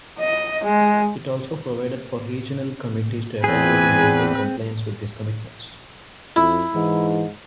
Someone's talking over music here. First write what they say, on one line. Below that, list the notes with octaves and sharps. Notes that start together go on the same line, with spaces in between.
It also provided for regional committees to evaluate and verify compliance with these commitments.
D#5
G#3
E2 C4 G#4 B4 G#5
F2 E4
G#2 E3